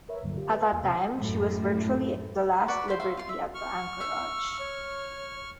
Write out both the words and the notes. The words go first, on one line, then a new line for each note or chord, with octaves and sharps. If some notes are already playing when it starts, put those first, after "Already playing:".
At that time, she was virtually the last Liberty at the anchorage.
A#4 B4 C#5 E5
C#2 G2 A#2 D3 F#3
F4 G4
B4
E2 A#3 F4 F5 G#5
C3
F#2 A2
F#4 B4 D5
C5 F5 B5
F#4 C5 E5 F5
F4 C6
E5
C#6 F6
E6
C#5